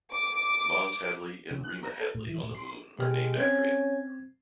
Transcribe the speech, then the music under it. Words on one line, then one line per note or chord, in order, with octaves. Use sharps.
Mons Hadley and Rima Hadley on the Moon are named after him.
D6
C#3
F#6
A#5
A4
A2
E3
A2
C6
B2 G#3 G4 F6
C4 C#4 G#6